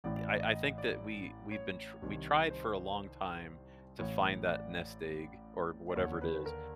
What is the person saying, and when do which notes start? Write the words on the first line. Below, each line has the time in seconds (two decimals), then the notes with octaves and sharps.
I I think that we we've been tr we tried for a long time to find that nest egg, or whatever it is.
0.04 A1 A2 E3 D5
0.16 D5
0.28 D5
0.40 D#5
0.53 D#5
0.78 D5
1.51 C#5
2.02 C2 C3 D#3
2.50 C5
3.99 A1 A2 E3 C#5
4.48 D5
5.90 D5
5.96 D#2 D3 C#5
6.21 B4
6.46 A#4